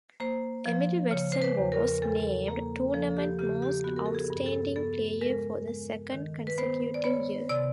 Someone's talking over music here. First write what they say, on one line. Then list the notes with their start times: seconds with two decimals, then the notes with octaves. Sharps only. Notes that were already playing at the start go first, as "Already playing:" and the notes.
Emily Watson was named Tournament Most Outstanding Player for the second consecutive year.
0.20 A#3 C5
0.66 F3
1.11 C#3 C#5
1.32 C5
1.42 B4
1.57 E2
1.72 A#4
2.02 E2 A4
2.48 A#3
2.94 F3 A4
3.17 G4
3.39 C#3 G4
3.62 G4
3.84 B3 F#4
3.96 A#4
4.06 A4
4.15 G#4
4.30 G2
4.46 A4
4.76 B3 A4
5.21 G#3 A#4
5.67 G#3
6.12 D#3
6.47 B4
6.58 B3 C5
6.94 D5
7.04 B3 C#5
7.49 C3 D5